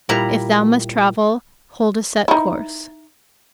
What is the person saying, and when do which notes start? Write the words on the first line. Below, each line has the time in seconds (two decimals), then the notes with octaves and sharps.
If thou must travel, hold a set course.
0.09 A#2 G3 E4 A#5
2.28 D#4 E4